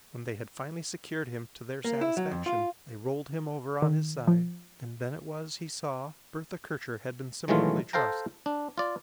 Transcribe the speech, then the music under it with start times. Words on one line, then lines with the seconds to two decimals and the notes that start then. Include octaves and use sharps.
When they had finally secured him to their satisfaction, they rolled him over on his side and then it was he saw Bertha Kircher had been similarly trussed.
1.85 A#3
2.01 E4
2.17 F#3
2.31 F2
2.46 F4
3.82 D#3
4.27 F3
7.48 D#3 E3 F#3 G#3 A3 F4
7.93 A4 C5 F5 G5 A#5
8.46 D4
8.78 F4 D5